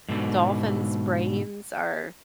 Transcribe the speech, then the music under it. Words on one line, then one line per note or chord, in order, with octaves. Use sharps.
dolphins' brains are
G#2 B2 D3